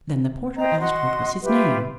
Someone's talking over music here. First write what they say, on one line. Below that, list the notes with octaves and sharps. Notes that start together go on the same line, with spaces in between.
Then the porter asked what was his name.
C5 D#5 G5 A#5
F#4 D#5 F#5 C6
F4 G4 B4 E5